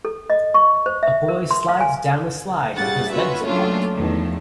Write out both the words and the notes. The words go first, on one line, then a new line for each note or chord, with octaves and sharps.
A boy slides down a slide with his legs apart.
A4
D#5
C#6
C5
E5
A#4
C6
F5
G#5
C#3 G3 F#5 A6
C#4 F4 F#4 B4 E5
F#3 A3 A#3 C#4 D4 F4
E2 D#3 F3 A3